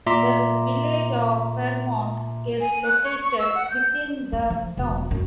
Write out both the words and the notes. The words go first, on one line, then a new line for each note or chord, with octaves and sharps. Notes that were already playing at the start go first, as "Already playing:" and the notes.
The village of Fremont is located within the town.
A#2 E5 A#5 C6 D6 B6
G#5
F#6
C#5
C#6
E6
F#5
G6
G3
F3
E1
F#2